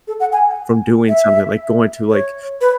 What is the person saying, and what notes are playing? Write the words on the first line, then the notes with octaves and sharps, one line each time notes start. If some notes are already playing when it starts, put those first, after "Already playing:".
from doing something, like going to, like,
A4
F#5
G#5
E5
C#5
B4